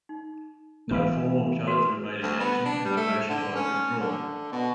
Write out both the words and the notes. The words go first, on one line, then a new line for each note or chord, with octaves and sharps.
No formal charges were made against him, and the motion was withdrawn.
D#4
E3 B3 B4 F5
F#4 A#4 B4
D2
B3
D4
G3
A3
D3
C#4
D3
B2